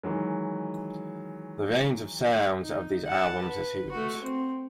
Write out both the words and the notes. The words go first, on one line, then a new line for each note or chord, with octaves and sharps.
The range of sounds of these albums is huge.
D#3 E3 F#3 G#3
D#4
F#5 A5
B4
A3 F#4
C4